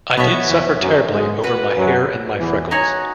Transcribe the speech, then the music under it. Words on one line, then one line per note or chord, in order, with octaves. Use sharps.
I did suffer terribly over my hair and my freckles.
B1 B2 B3 F#4 C#5 E5
E2 E3
F#2 F#3
G#2 G#3
F#4 B4 F#5
F#2 F#3
E2 E3
D#4 F#4 C#5 G#5